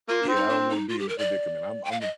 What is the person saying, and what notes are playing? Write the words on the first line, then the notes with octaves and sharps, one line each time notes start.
Yeah, I don't wanna be in the predicament. I'm I'm a
A#3 F4
D4
C4
D#4
D4
D#4
F4
G4
A#4
D5
G5
F5
D#5